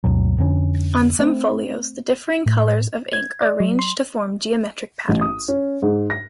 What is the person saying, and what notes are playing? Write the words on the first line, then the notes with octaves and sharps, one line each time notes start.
On some folios, the differing colors of ink are arranged to form geometric patterns.
G1 D2 B2 F#3
F2 D3 C#4
A3 C4
A2
G#6
D5
F#3
C6
A1
D#6
C#4
G#2
A#6